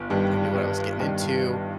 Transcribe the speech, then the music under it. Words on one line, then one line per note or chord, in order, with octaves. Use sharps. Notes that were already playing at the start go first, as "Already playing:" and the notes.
I knew what I was getting into.
Already playing: G1
G2 D#3 G3
G1
G2 D#3 G3